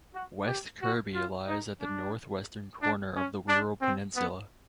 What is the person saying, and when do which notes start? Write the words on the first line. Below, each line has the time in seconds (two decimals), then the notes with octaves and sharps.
West Kirby lies at the north-western corner of the Wirral Peninsula.
0.14 F#4
0.47 G4
0.81 F#4
1.15 F4
1.47 D#4
1.81 D4
2.81 D4
3.15 C#4
3.49 D4
3.81 C4
4.16 B3